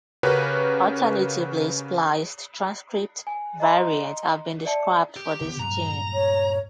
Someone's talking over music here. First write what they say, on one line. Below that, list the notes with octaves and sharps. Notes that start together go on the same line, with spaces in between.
Alternatively spliced transcript variants have been described for this gene.
C#3 C#4 F#4 G4 A#4 B4
G#5
D#5 A#5 C6
D5 E5 A5 C#7
G4
D3 B3
G2 A#2 F#3 A#5
C#5